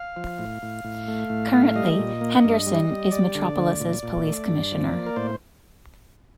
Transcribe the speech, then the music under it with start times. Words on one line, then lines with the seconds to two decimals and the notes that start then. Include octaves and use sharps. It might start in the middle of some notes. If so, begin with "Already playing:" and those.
Currently, Henderson is Metropolis' police commissioner.
Already playing: F5
0.16 F3
0.39 A2
0.62 A2
0.84 A2
1.08 A3
1.30 A2
1.53 A3
1.76 G3 D#5
1.99 A#2
2.21 A#3
2.44 G2
2.67 G3
2.90 G3
3.12 G3 D5
3.35 D3
3.58 D2
3.80 A#2
4.03 A#2
4.26 A3
4.48 G2
4.72 F3
4.94 A#3
5.06 A#4
5.16 A2 C5